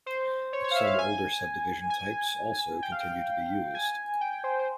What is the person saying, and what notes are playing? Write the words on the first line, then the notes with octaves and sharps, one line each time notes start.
Some older subdivision types also continued to be used.
C5
C#5
C#5
F5
E5
F5
G#5
G#5
G5
F5
G5
G#5
G5
C5
C5